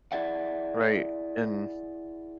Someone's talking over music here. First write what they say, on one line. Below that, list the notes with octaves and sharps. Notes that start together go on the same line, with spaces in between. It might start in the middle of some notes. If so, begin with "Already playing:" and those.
right? And
E4 G#4 D5 E5 F#5